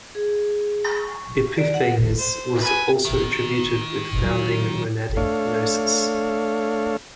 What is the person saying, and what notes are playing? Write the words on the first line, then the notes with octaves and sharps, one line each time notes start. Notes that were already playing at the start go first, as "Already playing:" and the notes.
Epiphanes was also attributed with founding Monadic Gnosis.
G#4
C#6
D5
F#5
C5
B4 G#5
D#3
F#3
A3 D4 A4 C#5 F5